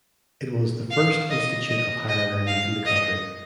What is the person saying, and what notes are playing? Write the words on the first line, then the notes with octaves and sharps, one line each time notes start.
It was the first institute of higher learning in the country.
F5
D#5
D#5
D#5
F5
D#5